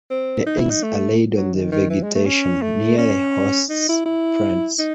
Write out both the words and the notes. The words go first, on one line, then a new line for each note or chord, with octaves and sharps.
The eggs are laid on the vegetation, near the host plants.
C4
D#4
E4
D#4
A3
F#3
D#3
D#3
E3
G#3
A3
C#4
A3
C#4
D#4
E4
E4
D#4